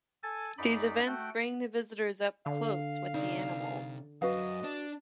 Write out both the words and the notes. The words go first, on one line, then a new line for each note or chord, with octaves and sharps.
These events bring the visitors up close with the animals.
A4 G#5 A6
F#2 D#4 D5 B5
A3 F#4 F#5 G5
D3 F5
C3 D#4 D5
F#2 F#4 B4 D#5 F5
D4